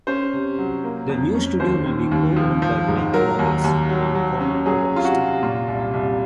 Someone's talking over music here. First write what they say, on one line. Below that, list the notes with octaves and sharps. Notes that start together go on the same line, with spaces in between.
The new studio will be co-owned by Mike Mogis and Conor Oberst.
C#4 C5
C3
F#3
A#3
F2
C#4
D#2 C5
D#3
D#2
F3
F3
G#2
F#3 A#4
D#2
D#2
F#3
F#3
C#4
F#3 G#4
C3
F4
F#4
C3
A#2 F4
C2
C2